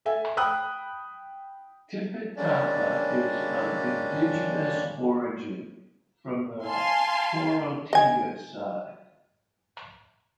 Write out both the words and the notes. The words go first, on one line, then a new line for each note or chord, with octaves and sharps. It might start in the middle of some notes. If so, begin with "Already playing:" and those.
Tipitapa is of indigenous origin, from the Chorotega side.
A4 E5 G#5
G5 B5 D#6 F#6
G3 G#3 A#3 C#4 D4 D5
F5 G#5 A5 C6
D#5 G#5